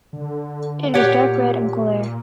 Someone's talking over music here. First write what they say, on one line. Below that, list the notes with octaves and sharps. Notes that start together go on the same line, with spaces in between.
It is dark red in colour.
D3
A#2 G4 C#5 F#5